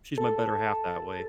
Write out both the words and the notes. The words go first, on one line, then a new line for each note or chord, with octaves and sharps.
she's my better half that way.
A4